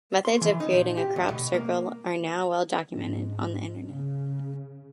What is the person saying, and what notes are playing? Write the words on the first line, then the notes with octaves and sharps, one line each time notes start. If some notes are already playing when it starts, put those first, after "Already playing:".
Methods of creating a crop circle are now well documented on the Internet.
C6
E3
D#4
A#2
G4
D2
B2
A#3
G#2
C#3